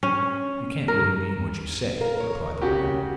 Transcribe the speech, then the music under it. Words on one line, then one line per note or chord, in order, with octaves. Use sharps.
'You can't really mean what you say?' replied the woman.
C#4
A#4
A#4 F5
A#4 C#5
C#3 F#4 G4